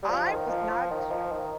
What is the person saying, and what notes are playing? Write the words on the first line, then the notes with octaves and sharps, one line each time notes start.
I was not stru
G3
F3
D#3
F3
F3
D#3
F3
D#3